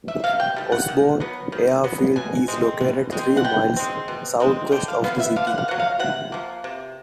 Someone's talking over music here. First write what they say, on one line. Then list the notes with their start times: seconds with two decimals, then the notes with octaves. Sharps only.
Osborn Airfield is located three miles southwest of the city.
0.08 E5
0.24 C3 F5
0.40 G5
0.56 D#3 G3
0.72 F#5
0.88 D#3
1.20 F#3 B3
1.52 D#3
1.84 F#3 B3
2.16 B2 G#5
2.48 G#3 C4
2.81 B2
3.12 G#3 C4
3.37 F#5
3.44 B2 G5
3.76 G#3 C4
4.08 B2
4.40 G#3 C4
4.72 D3 G5
4.88 F5
5.04 F#3 B3 F5
5.20 E5
5.36 D3 F5
5.47 F#5
5.58 F5
5.68 F#3 B3 F#5
5.79 F5
5.99 C3 F#5
6.32 F3 A#3
6.64 C3